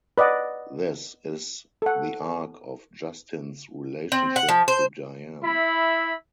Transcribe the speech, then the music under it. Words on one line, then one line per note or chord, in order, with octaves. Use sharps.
This is the arc of Justin’s relationship to Diane.
B4 D5 D#5 F#5
A4 F#5
C4
F#5
F3
C5
E4 E5 B5